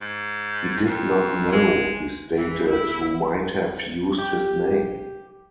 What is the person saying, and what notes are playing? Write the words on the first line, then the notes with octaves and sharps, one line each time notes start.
He did not know, he stated, who might have used his name.
G#2
F2
G#3
E3
E4
G4